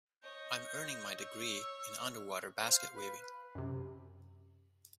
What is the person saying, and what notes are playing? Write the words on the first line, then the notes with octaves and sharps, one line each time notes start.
I'm earning my degree in underwater basket weaving.
C#5 D#5 G6
C#5 E6
C5
F5
B4
B4
F#2 C3